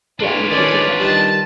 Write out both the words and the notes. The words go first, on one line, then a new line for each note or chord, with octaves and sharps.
Yeah, you too. Take care.
D4 F4 B4 C#5
D#3 C#4 D5
D#3 G3 A5